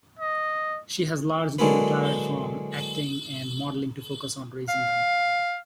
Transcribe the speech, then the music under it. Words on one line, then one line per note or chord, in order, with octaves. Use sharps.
She has largely retired from acting and modelling to focus on raising them.
D#5
D3 F#3 G#3 A#3 E4 B4
F5